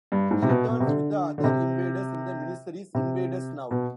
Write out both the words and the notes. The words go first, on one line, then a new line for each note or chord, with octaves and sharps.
He returns with the other Invaders in the miniseries Invaders Now!
G2
G#2
C3
B2
B2
C3
D3
D3
C3
C3
B2